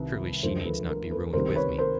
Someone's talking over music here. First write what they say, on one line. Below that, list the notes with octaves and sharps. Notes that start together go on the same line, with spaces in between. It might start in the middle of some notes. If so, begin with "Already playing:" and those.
Surely she need not be ruined with me?
Already playing: C2 C3 D#3 B4
D2 D3 F3 G#3 A#4 C5
A4 B4
A#4
A4 B4
C#2 C3 D#3 G3 A#4 C5
B4 C#5
A#4 C5